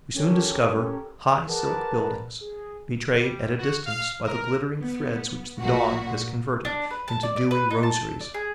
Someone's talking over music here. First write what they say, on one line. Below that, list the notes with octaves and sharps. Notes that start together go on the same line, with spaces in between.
We soon discover high silk buildings, betrayed at a distance by the glittering threads which the dawn has converted into dewy rosaries.
C#4 G4 A4 A#4 C#5
G#4 A#4 B4 D5 F#5 A5
G#4
G3
F#4
F5
A#4
B3
A1 A#2 F#4
D4
B4
A5
D5
D5
B4
D#4
A5
A4
D5
G#4